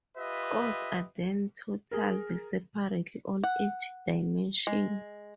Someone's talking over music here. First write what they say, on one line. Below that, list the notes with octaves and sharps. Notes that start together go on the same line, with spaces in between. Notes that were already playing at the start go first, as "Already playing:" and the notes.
Scores are then totaled separately on each dimension.
F4 G4 B4 D#5 E5
G#4 A#4
F#5
G#3